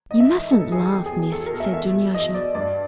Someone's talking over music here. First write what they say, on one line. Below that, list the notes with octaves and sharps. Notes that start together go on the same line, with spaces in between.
"You mustn't laugh, Miss," said Dunyasha.
G#2 D#5
E5
E3
G#2 A4
E3 G#4
E2 G4
G#4
B2
G#4
E2 A4
A#4
B2
E5
E2 E5
B2
E2 D#5
B2 D5
G2 D5